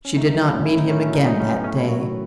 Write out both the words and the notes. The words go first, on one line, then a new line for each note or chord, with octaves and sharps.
She did not meet him again that day.
C#4
A3 D#4
D#4
F#3
E4
A2 C#4
E4
A2
D#4
A3 C#4
C#4
F#3
D#4
A2 D#4
C#4
A2
B3
A3 C#4
E4
F#3
F#4
D#3